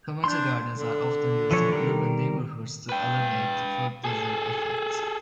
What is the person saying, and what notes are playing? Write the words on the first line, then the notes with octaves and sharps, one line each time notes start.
Community gardens are often used in urban neighborhoods to alleviate the food desert effect.
D4 C6 G6
D3
E3 F3 C#5
D#3 G3 A#4
B4 G5
G#4 A4